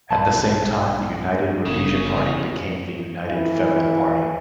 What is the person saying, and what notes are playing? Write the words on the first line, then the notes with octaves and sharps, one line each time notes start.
At the same time the United Rhodesia Party became the United Federal Party.
B1 G2 A5 B5
G1 C#3 B3
E3